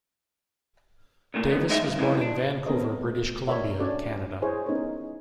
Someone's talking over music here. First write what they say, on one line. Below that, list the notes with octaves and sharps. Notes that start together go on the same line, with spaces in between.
Davis was born in Vancouver, British Columbia, Canada.
A#2 A3 A#3
B1 G#2 B3
C#2 G#3 D#4 E5
D2 G2
F2 C3 E3
D4
B3 C4 A4 A#4 C#5 D#5
A3
A#4 C#5 D5 E5
C#4 D4 F#4 A4 C#5 D5
E4 G#4 C5 C#5 D#5
B3 C#4 D#4 G4 A#4 C#5